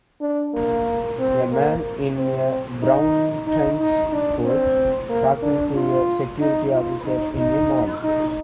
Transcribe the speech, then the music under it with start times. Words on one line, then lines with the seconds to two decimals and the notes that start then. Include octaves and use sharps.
A man in a brown trench coat talking to a security officer in a mall.
0.21 D4
0.54 A#3
1.19 C4
1.52 A#3
2.17 C4
2.82 D#4
3.47 D#4
3.80 D#4
4.13 D4
4.45 C4
5.10 A#3
5.43 D4
5.75 F4
6.41 D#4
6.72 F4
7.05 D#4
7.37 D#4
8.03 D#4